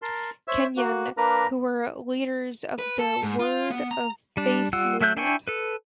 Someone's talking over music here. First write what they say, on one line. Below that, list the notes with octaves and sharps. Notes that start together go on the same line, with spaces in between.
Kenyon, who were leaders of the Word of Faith Movement.
A#4 A5 C6
C5 C#5 E5 E6
A#3 F#4
A#3 D4 A#4 B4 A#5 F6
B4
A4
G#2
F4
B3
A#5
G3 D4
G3 F4 F#5 E6
F#3 A3 E5 F#6 G6
D4 E4 G5 G#5 C#6
A4 B4